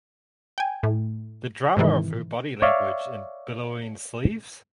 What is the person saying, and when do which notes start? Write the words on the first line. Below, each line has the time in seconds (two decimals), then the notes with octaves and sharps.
The drama of her body language in billowing sleeves?
0.58 G5 G#5
0.83 A2
1.77 G#2 C3 D#3 E3
2.62 C#5 D5 E5 F5